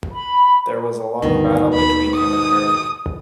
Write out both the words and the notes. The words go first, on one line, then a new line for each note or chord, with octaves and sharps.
There was a long battle between him and her.
B5
D2 G2 B2 D#3 D#4
D#2 B5
D#6